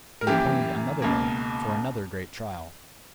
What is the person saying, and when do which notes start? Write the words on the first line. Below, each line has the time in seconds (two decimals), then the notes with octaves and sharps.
They appointed another day, for another great trial.
0.21 A#4
0.27 F#2 E3 A#3 G4
1.02 C#2 B2 A#3